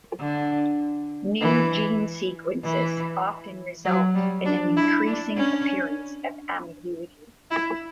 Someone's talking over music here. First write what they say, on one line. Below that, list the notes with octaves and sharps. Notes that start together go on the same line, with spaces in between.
New gene sequences often result in an increasing appearance of ambiguity.
D3
E3
E3
F#3
G3
D4
E4
D4
C#4
E4